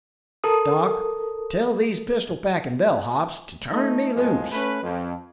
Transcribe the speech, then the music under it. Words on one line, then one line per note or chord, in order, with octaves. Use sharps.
"Doc, tell these pistol-packing bellhops to turn me loose."
A4 A#4 D#6
A3 D#4
F2 A2 F3 G#3
A3 C#4 B4
F2